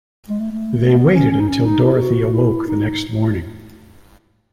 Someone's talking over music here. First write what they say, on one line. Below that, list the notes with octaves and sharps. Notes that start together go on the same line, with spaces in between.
They waited until Dorothy awoke the next morning.
G#3
A3
A3
A3
B3
C#4
C#4
D#4
C#4
D#4
E4
G#4
F#4
E4
D#4